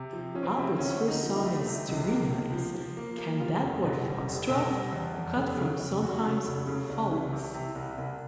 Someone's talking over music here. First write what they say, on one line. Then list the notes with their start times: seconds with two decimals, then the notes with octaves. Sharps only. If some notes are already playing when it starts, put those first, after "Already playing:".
Albert's first song as "Starina" is "Can That Boy Foxtrot", cut from Sondheim's "Follies".
Already playing: C3
0.13 F3
0.35 F3 C#4
0.43 C4
0.56 C3 C4
0.78 D2 C#4
1.00 D2
1.08 D#4
1.23 F3
1.36 D#4
1.44 A3
1.66 C3
1.88 C#2
2.10 A#3
2.31 C#2
2.53 F3
2.75 F3
2.97 A#3
3.18 A#3
3.40 G3 F4
3.62 F1
3.84 B2
4.05 G3
4.27 F1
4.49 B2
4.71 G3
4.92 E2
5.14 F2
5.36 F1
5.57 C#3
5.79 F2
6.01 F1 F#4
6.23 C#3
6.45 F1
6.67 C#3
6.89 C2
7.11 E3
7.32 C3
7.54 C3
7.75 C2
7.98 C2